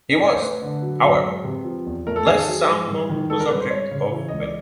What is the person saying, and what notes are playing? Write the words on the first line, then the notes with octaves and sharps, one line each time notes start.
He was, however, less sound on the subject of women.
D#5
D5
C#5
C5
A3 B4
D3
F#3
F#2
G#3
C3
F3
E2
A3 A#4
A4
D#3 G#4
A4
F#3 G#4
G#2
G2
D#3
G#3 A4
A#4
G2 B4
C5
G#3 C#5
C#3
E3
C#2 D#5
D5